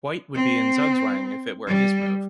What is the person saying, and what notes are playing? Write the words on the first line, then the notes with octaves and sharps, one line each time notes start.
White would be in zugzwang if it were his move.
C4
G3